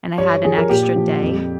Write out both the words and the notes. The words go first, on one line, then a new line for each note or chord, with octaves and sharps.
and I had an extra day.
G2 C#5
F3 G#4
A#4
A#2 G4
F3
F2